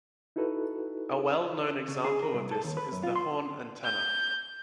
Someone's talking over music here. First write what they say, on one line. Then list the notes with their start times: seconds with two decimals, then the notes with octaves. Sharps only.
A well-known example of this is the horn antenna.
0.36 D#4 E4 F#4 A4 B4
1.88 C#3
2.05 G#4
2.23 A#4
2.34 C2
2.51 A4
2.64 D#2
2.77 B4
2.92 F#2
3.03 F4
3.16 C6
3.84 G6